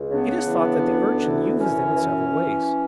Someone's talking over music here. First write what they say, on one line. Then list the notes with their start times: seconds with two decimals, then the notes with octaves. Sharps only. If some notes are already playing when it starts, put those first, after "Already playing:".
It is thought that the Urchin uses them in several ways.
Already playing: C#2
0.10 C#3 B3 D4
0.47 E3
0.84 D2
1.22 E3
1.59 F#2 C#4
1.96 E3
2.32 E3